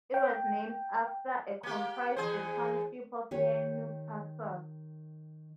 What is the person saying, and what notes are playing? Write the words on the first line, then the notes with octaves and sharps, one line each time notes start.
It was named after and comprised the township of near Newcastle.
G5
A#3 G4
E2 G#4 C5
D#3 G4 C#5